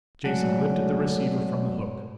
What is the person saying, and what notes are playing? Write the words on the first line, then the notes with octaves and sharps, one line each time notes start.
Jason lifted the receiver from the hook.
F#3 G#3 A3 F#4 C#5 D5